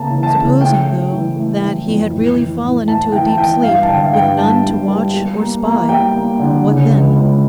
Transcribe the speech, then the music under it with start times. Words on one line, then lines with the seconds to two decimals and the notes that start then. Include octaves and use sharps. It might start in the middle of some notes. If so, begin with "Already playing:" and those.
Supposing, though, that he had really fallen into a deep sleep, with none to watch or spy--what then?
Already playing: C#3 A#3 A5
0.10 E3
0.23 A5
0.35 C#3
0.61 A3 G5
0.86 A3
1.11 E3
1.36 A3
1.61 E3
1.86 F2
2.12 A2
2.36 E3
2.62 A2
2.87 A2 A5
3.12 E3 G5
3.26 A5
3.38 E3 G5
3.63 G2 F5
3.83 A5
3.88 D3 G5
4.02 F5
4.13 G2 G5
4.38 G2 A5
4.64 G2
4.88 G3
5.14 G3
5.39 A#3
5.64 A#3
5.89 G3 G5
6.14 A#3
6.39 D3
6.65 C#3
6.90 C#2
7.15 C#2